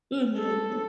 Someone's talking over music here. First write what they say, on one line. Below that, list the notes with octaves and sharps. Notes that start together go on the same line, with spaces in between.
Mhm. M
A4